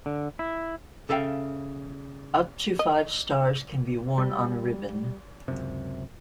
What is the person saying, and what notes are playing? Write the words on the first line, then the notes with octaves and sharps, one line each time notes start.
Up to five stars can be worn on a ribbon.
D3
E4
C#3 A4 E5 F5 G5
D#5
G3
C#2 F#2 C3